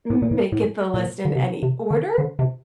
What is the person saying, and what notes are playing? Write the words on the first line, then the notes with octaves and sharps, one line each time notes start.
m make it the list in any order.
A2
A#2
A2
A2
A#2
D3
C3
C3
D3
D3
C3